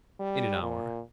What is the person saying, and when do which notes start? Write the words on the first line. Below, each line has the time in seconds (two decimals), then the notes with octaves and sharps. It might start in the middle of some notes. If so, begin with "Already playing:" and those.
"In an hour."
0.20 G3
0.62 A#2